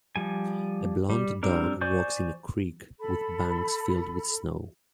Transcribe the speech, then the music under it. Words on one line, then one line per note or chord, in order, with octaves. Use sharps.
A blond dog walks in a creek with banks filled with snow.
F3 G3 G#5
G3
G3 C4 D4 A#4
C5 D5 G#5 C#6 G6
A4 B5